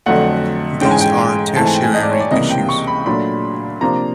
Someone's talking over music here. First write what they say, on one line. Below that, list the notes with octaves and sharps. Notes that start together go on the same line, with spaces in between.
These are tertiary issues.
F2 D3 F#3 A3 F#5
G#2 E3 G#3 C#4 G5
G#5
G5
G#2 E3 A3 C4 A5
G#5
G5
G#5
D#5
D5
C#5
D5
C#2 C3 E3 G3 A#3 D#5
G5
C#6
B5
A#2 F#3 A3 D4 B5
C3 F3 A#3 D4 A#5